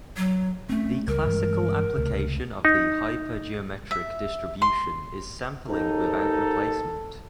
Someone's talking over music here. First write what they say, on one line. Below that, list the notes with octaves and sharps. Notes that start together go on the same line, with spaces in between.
The classical application of the hypergeometric distribution is sampling without replacement.
F#3
A3 C4 C#4
C#2 G3 A#4
G2 E3 G#3
C#2 C3 A3
D#4
E5
C6
D#2 G#2 D#4 A4